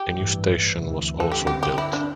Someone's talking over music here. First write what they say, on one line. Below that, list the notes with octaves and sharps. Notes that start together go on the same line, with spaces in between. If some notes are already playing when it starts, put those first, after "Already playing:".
A new station was also built.
Already playing: G4
A1 G2 E3 G3
D2 C3 E3
A4
G2 D3 C4 G4
G4
G4
E4
D4